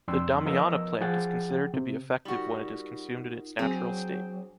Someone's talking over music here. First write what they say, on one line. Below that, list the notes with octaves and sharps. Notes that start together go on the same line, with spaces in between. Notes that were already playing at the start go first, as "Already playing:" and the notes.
The damiana plant is considered to be effective when it is consumed in its natural state.
F2 D4 G5 C6 E6
F3 B3 A#4 D#5 A#5 E6
F3 G#4 F#5 G5 A6
C3
G3 D#4 F4 F#4 A#4
F#3 C4 D4 G#4 G5